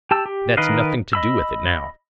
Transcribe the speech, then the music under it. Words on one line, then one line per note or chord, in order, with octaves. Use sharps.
That's nothing to do with it now!
G4 A5 E6
G4
D#3 A#4 B4 D#5 F5
D#5 B5 E6